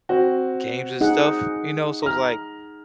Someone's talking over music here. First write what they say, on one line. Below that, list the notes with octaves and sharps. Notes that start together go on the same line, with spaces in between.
games and stuff, you know, so, it was like,
C4 F#4
D#4 G#4 F#5
A#5 F6